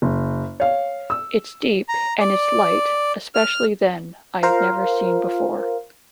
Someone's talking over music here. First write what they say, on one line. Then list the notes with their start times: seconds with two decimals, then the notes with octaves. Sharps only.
It's deep and it's light,' especially then, I had never seen before.
0.02 F#1
0.60 C#5 F5
1.10 E6
1.89 A#5
2.20 D5
3.35 F6
4.43 F4 A#4 C5 F5